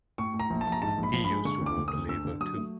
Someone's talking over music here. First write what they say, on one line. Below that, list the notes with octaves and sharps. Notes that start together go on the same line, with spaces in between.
He used to vote Labour, too.
A2 C#6
A2
A#5
A#1
A5
A#1
A#5
G#2 A5
A#1
B5
F3
B5
G#3
D3 C#6
D2
D6
D2
D#6
D2
D3 E6
D3
F#3 D#6
A3